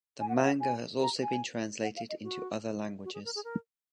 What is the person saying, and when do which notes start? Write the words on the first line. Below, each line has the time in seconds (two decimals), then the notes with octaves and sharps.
The manga has also been translated into other languages.
0.20 G#5
0.29 F#5
0.36 F5
0.44 F#5
0.61 G#5
1.02 A#5
1.22 G#5
1.83 F#5
1.96 F5
2.09 D#5
2.23 F#4
3.04 F#4
3.14 G#4
3.25 A#4
3.35 G#4
3.44 A#4